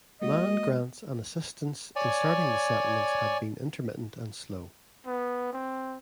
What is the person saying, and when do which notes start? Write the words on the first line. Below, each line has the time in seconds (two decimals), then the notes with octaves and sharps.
Land grants and assistance in starting the settlements had been intermittent and slow.
0.22 G#3 A#3 F#4 D#5
1.96 C#5 D5 G#5
5.06 B3
5.53 C4